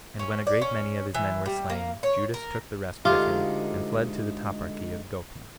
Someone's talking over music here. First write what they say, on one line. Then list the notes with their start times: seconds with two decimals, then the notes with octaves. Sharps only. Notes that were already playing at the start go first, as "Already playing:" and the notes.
And when a great many of his men were slain, Judas took the rest with him, and fled to the toparchy of Gophna.
0.19 C#4
0.47 D5
0.61 C#4
1.14 E3
1.46 G3
1.70 A#3
2.03 C#5
2.34 A#4
3.05 D2 D3 G#3 D#4 F4 G4